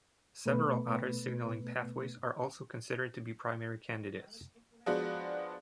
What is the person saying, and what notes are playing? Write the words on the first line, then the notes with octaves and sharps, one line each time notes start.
Several other signaling pathways are also considered to be primary candidates.
B2 A3 B3 B4
F3 G#3 B3 D4 F#4